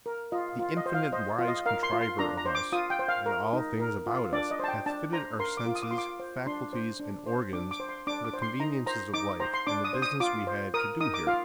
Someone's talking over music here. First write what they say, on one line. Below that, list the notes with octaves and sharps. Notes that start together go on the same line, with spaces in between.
The infinite wise Contriver of us, and all things about us, hath fitted our senses, faculties, and organs, to the conveniences of life, and the business we have to do here.
A#4
F4 D#5
F4
D#5
C5
F5
C5 D#5
F4
D#5
A#4 F5
C6
F4
C6
D4 A#5
A#5
C5
D6
F4 D#6
G5
C5
F5
A#4
D#4
A#4
F4
D4 D5
D#5
C5 A5
G5
D4 A5
C5 A#5
A#4 C6
D6
F4
D#6
D6
F4 C6
D6
C5
D4 C6
C5
D4
C5
D4 D6
D6
C5
C6
D4 D6
D6
C5
C6
D#4 A#5
C5 A#5
D#4 D6
C5 A#5
C6
D4 D6
D#6
C5
D#6
F4 D6
C5
A#4 D#6
D#4 D#6
D6
F4 F5